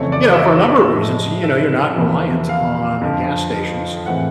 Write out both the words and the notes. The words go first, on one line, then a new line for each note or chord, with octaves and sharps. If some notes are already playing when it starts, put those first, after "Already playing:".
You know, for a number of reasons, you know, you're not reliant on gas stations
Already playing: F2 C#3 E3 A3 C4 C#5
D5
E5
D#5
A2 F3 G#3
E5
E2 C3 F3 A#3
F5
F2 D3 F3
A2 E3 G#3 C4 F#5